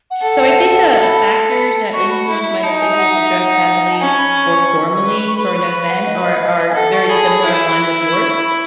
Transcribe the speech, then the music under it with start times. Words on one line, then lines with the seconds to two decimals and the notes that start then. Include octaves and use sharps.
So I think the factors that influence my decision to dress casually or formally for an event are are very similar in line with yours.
0.11 F#5
0.22 A4
0.33 F#5
0.48 E5
0.56 F#5
0.79 A5
1.02 B5
1.93 F#4 C#6
2.10 B5
2.28 E4 B5
2.45 B5
2.63 D#4 A5
2.80 G#5
2.91 E5
2.98 F#5
3.14 E5
3.31 F#5
3.91 A5
4.00 C#4 G#5
4.18 B5
4.35 C#6
4.51 C#6
4.69 C#6
5.03 B4
5.27 C#6
5.38 B4 B5
5.55 C#6
5.72 B5
5.89 F#5
6.06 D#5
6.24 D#5
6.41 D#5
6.59 D#5
6.69 G#5
6.75 A4 F#5
6.93 C#6
7.09 G#4 B5
7.27 B5
7.44 E4
8.12 C#6
8.29 C#6
8.35 B5